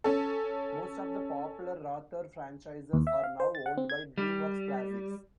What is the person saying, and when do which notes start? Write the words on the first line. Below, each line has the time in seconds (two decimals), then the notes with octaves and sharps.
Most of the popular Wrather franchises are now owned by DreamWorks Classics.
0.04 C#4 A4
2.93 D#2
3.07 E5
3.24 F5
3.40 C5
3.55 A6
3.66 F#5
3.78 C4
3.90 G#6
4.18 G3